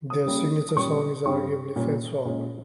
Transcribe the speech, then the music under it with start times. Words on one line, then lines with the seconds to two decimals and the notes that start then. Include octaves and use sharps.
Their signature song is arguably Fencewalk.
0.10 D#6
0.26 C#3 G3 A#3 C#4
0.69 D#6
0.76 A#2 G3 C#4 C#6
1.26 G2 G3 C4 C#6
1.76 A#2 G3 A#3 C#4
2.25 A#2 G#3 C#4